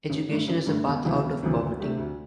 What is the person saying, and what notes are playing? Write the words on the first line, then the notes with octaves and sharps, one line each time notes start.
Education is a path out of poverty.
A1
G2 D3 A3 D4
A1
G2 D3 A3 D4
E1
D2 C3 E3
E1
D2 C3 E3
D2
C3 A3 D4 G4
D2